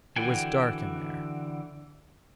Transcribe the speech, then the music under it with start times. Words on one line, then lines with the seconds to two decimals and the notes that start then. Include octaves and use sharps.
It was dark in there.
0.16 D3 E3 F#4 G5 G#5